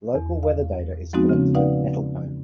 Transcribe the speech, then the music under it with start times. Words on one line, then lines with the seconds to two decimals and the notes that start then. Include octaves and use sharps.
Local weather data is collected at Nettlecombe.
0.15 E2
0.43 F5
1.13 F3 G#3 B3 C4 D#4 F#4
1.29 C#3 C#4
1.55 D#4 B4 D5 F5 F#5